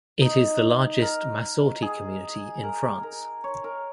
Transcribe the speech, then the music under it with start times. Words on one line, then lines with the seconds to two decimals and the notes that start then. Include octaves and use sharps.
It is the largest Masorti community in France.
0.21 D#4
1.02 A#4
1.82 G#4
2.63 A#4
3.03 A#4
3.44 C#5
3.64 A#4